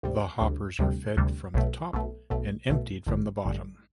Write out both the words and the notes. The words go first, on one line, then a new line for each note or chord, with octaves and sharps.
The hoppers are fed from the top and emptied from the bottom.
D2 C3 G3
D2 C3 G3
D2 C3 G3
D2 C3 G3
B1 B2 A3
B1 B2 A3
B1 B2 A3
B1 B2 A3
A1 G2 D3
A1 G2 D3